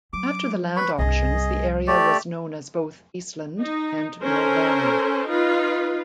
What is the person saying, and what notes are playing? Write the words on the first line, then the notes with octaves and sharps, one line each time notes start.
After the land auctions the area was known as both "Eastland" and "Mill Valley".
F#3 D6
B4 B5 C#6
C2 G2 G#4 D#5
A3 G4 D5
D#4
C#4 A4 A#4 C5
D#4 F4 B4